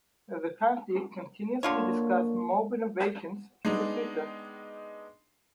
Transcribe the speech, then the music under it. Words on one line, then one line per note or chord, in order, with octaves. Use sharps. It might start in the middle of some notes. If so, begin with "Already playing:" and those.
The county continues to discuss more renovations in the future.
D3 A#3 F4 C#5
G#3 B3 D4 D#4